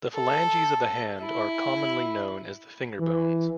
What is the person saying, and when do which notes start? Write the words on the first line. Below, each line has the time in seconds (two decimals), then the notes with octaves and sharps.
The phalanges of the hand are commonly known as the finger bones.
0.14 A4
1.21 E4
3.00 E3